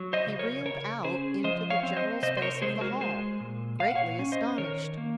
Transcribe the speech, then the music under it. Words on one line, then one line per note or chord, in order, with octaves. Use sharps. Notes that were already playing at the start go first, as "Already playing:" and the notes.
He reeled out into the general space of the hall, greatly astonished.
Already playing: F#3
C5 D#5
C#3
A#4 C#5
C#3 A#4 C#5
C#4 G#4 C5
F3 C5 D#5
C#5 F5
C4
C5 D#5
C3 C5 D#5
C5
A#4 C#5
G#3 G#4 C5
F#4 A#4
G#3 G#4 C5
A#2
A#2 F5
F#5
C#5 F5
C#4
C5 D#5
D#3 A#4 C#5
A#3